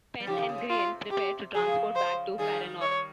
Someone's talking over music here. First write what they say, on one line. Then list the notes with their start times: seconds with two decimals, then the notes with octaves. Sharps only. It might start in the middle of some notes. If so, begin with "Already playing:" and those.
Pen and Grianne prepare to transport back to Paranor.
0.20 G3
0.26 C#3 F3 G4
0.37 C3 D#3
0.49 C#3
0.58 C3
0.69 C3 F4
1.11 G4
1.54 C#3 F3 G#4
1.96 C5
2.38 D#3 G3 G#4
2.81 C#5